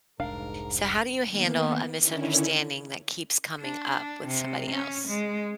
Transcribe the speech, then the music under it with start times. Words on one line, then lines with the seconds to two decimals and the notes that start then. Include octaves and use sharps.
So how do you handle a misunderstanding that keeps coming up with somebody else?
0.20 F1 C2 G#2 D4 A#4 F5
1.27 D#3 A#3 B3
1.99 D3 D#3 C#4 E4
3.60 D4
4.27 C3
4.71 C#4
5.08 G#3